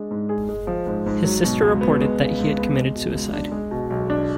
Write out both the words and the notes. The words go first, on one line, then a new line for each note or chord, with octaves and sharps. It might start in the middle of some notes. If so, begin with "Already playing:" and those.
His sister reported that he had committed suicide.
Already playing: G#3 D4
G#2
G#4
G#3
F3
G#2
G#2
F#3
B2
C#2
B3
G#3
C#3
C#2
B3
G#3
B2
C#2
D4
G#3
B2
B1
D4